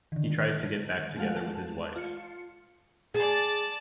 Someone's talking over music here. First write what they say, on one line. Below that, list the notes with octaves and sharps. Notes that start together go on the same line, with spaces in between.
He tries to get back together with his wife.
D3 D#3
G#3 A3 F4 A4 F5 F#5
A5
F4 C#7
G#4 D5 A5